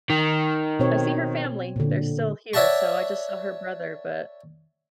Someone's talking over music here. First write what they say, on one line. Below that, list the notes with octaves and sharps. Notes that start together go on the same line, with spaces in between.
I see her family, they're still here, so, I just saw her brother but
D#3
B2 C4 C#5
A#2 D3
C#5 D5 E5 F#5 A5 C#6